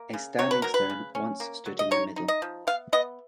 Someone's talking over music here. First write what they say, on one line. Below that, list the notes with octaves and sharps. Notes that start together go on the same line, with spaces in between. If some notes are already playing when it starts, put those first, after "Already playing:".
A standing stone once stood in the middle.
Already playing: A#3
C#3
F#3 C#5
B4
F#3 A#4
B4
C#3
C#4
A#3
F#3
D#5
D#4 C#5
D#4
D#5
F3
B3 F5
B3 D#5